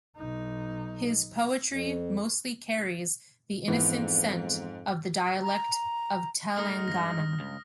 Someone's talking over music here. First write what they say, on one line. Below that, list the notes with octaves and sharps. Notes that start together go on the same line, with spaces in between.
His poetry mostly carries the innocent scent of the dialect of Telangana.
B1 D#4
F2
F2 G#2 E3 B3
A#5
G#3 A3 D#4 D#6 F6 A#6
G2 A#6
C#2